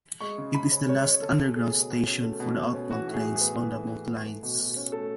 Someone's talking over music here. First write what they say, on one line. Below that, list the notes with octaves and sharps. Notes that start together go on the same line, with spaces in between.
It is the last underground station for outbound trains on both lines.
G#3 C#6
C#3
C#3 B5
C#4
G#3 C#5
C#3
C#3 A4
C#4
A3 G#4
B2
B2
C#4
A3
B2
B2
C#4
E3 F#4
A2
G#4
A2
G#4
B3
E3
A2
A2
B3
A3
B2
B2
C#4
A3 A4